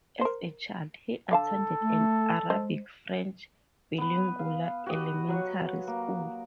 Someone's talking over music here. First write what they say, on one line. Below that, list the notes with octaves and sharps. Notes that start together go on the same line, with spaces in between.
As a child, he attended an Arabic-French bilingual elementary school.
A#4 C5
D3 A4 F5 A5
A3
G#3 C5 D#5
B3 B4
F5
F#4 G4 D#5
F#3 F#5 C#6
A#3